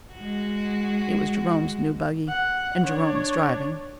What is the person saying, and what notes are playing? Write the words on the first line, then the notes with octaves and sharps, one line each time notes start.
It was Jerome's new buggy and Jerome was driving.
G#3 F#4
F#5
D4 C#5